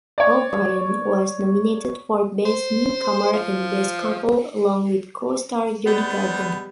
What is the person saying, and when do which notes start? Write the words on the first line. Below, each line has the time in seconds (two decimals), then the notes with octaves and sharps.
O'Brien was nominated for "Best Newcomer" and "Best Couple" along with co-star Jodi Gordon.
0.18 C#5 D5
2.46 C5
3.33 F3
5.86 G3 G#3 B3 B4